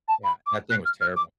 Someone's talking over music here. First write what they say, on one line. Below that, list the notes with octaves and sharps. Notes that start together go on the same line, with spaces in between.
Yeah. That thing was terrible.
A5
B5
D6
F#6
F6
F6
D6